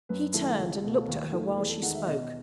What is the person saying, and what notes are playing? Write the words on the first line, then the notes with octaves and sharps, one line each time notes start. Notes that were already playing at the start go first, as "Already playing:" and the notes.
He turned and looked at her while she spoke.
F#2 B4
D#3 A3 E4 A4
C#2
B2 A3
D#2
D#3 A3
E2 G#4
A4
D#3 G#3 D#4 F#5
E5
B2 D#5